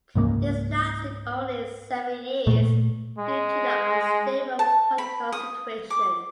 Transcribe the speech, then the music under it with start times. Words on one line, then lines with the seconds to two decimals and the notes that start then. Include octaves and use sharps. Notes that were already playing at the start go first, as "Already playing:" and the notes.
This lasted only seven years, due to the unstable political situation.
0.15 C#2 G#2 C#3 A#3
2.47 A#2 A3
3.18 G#3
4.59 A5
4.98 B5
5.32 D#6
5.90 D6